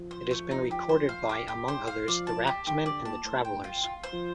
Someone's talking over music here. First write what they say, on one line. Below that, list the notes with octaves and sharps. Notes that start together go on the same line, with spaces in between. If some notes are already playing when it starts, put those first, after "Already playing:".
It has been recorded by, among others, The Raftsmen and The Travellers.
Already playing: F3
C5
A3
D#4
G4
C5
F5
G4
G4
C5
F5
F3 D5
A5
G4
D#3 G4
D3 D5
A#2 A5
A2 C5
G5
F4
F4
C5
F3